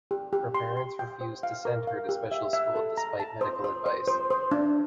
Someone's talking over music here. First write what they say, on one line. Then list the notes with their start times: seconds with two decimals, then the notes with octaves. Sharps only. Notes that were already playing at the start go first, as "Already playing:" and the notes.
Her parents refused to send her to special school despite medical advice.
0.11 G4
0.33 G4
0.55 C6
0.77 C6
0.99 G5
1.21 C5
1.43 F5
1.65 A#4
1.87 F5
2.09 G4
2.32 E5
2.53 E5
2.76 A4
2.98 A#5
3.20 A5
3.41 C5
3.64 C5
3.86 C5
4.08 C5
4.30 C5
4.51 D4